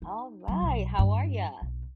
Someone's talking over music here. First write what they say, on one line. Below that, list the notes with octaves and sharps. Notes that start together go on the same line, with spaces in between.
All right, how are ya?
D#4
F#3
B1
G2
B1